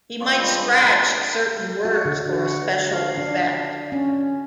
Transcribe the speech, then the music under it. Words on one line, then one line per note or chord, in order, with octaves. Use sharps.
He might scratch certain words for a special effect.
F3 F4 C#5 D5
G3 G#3 B3 D4
G#4
A4 C5
F#4
D3
F#4
F5
D4
C#4